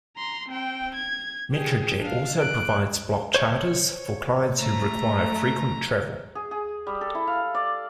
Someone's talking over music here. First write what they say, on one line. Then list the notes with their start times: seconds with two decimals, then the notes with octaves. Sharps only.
Metrojet also provides block charters for clients who require frequent travel.
0.17 A#5 C6
0.49 C4 G5
0.95 G#6
1.52 G4 G#4
2.01 D4 F5
2.40 F#6 D7
3.34 C5 C#5
4.59 A3 A#5
6.35 G#4
6.51 G#4
6.87 G3
7.01 A4
7.15 E4
7.27 F5
7.55 D5